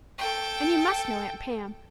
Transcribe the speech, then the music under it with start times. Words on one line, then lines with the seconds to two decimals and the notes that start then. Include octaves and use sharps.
And you must know Aunt Pam.
0.18 A4 G5